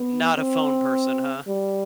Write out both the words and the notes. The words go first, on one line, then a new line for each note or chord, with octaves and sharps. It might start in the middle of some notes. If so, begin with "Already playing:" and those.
Not a phone person, huh?
Already playing: B3
C4
G3